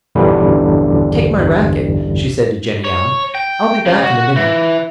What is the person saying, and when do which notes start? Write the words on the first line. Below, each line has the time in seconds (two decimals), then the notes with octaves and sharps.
"Take my racquet," she said to Jennie Allen; "I'll be back in a minute."
0.15 A#1 E2 G2 D3 E3 G3
2.84 C#5
3.35 G5
3.86 C#3
4.03 F#4
4.36 E3